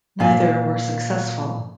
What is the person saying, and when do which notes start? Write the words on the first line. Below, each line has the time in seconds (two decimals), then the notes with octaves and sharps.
Neither were successful.
0.20 A#2 F5 G#5 A5